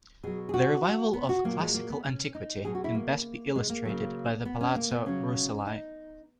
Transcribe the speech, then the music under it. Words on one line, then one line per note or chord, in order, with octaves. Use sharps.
The revival of classical antiquity can best be illustrated by the Palazzo Rucellai.
B2 F#3 G#4
G#4
F#4
B3
F#4
A#2 F#3 A#3
G#3
A#3
B3
C#4
D#4
B2 F#3 G#4
F#4
E4
A#3
G#3
A#3
C#3 F#3
B3
C#4
A#3
B3
C#3 F#3 C#4
D#4